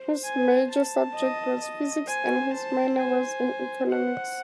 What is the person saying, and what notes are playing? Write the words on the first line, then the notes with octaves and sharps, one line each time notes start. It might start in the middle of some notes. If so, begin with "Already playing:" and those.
His major subject was physics and his minor was in economics.
Already playing: C5
G#5
A5
D#5
D#5
C5 G#5
A5
G#5
C5 F#5